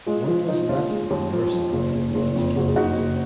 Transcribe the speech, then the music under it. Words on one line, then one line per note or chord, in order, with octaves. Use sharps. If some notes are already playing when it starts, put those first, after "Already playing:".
One was left at the mercy of V.V.'s character....
G#3 F4
F3 F4
F3 D#4
D#2 F4
G#3
D#2
F3
F3
F#1
F#1
F#1
F2
F#1 F#4
G#4
F#1 D#4 F#4
F#1